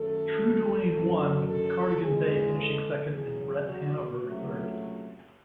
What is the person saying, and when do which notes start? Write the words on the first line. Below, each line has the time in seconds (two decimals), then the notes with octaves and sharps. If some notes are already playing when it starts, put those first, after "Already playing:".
True Duane won with Cardigan Bay finishing second and Bret Hanover third.
Already playing: F#2 D#3 F#3 A3 A4
0.93 F#2 D#3 F#3
1.48 A4
2.03 E2 C#3 G#3 G#4
2.58 A4
3.13 E2 C#3 F#3 G#4
3.68 F#4
4.23 C#2 C3 F#3 A3